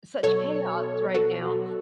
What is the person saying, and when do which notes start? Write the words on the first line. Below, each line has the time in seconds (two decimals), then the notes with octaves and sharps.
such chaos right now.
0.23 B2 F#3 A4 C#5
1.14 F#4 A4